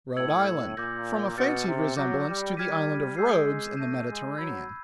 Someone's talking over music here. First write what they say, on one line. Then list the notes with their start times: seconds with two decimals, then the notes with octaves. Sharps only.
Rhode Island--From a fancied resemblance to the island of Rhodes in the Mediterranean.
0.16 A2 E6 G#6 C#7 F#7
0.77 A#2 D6 G6 A#6
1.37 B2 F6 A6 C#7
1.67 C3
1.97 F#3 D6 G6 A#6
2.27 G3
2.57 G3 F6 G#6 B6 D#7
3.17 G#3 E6 G6 C7
3.77 A3 G6 A#6 D#7
4.08 G#3
4.38 F#3 B5 E6 G#6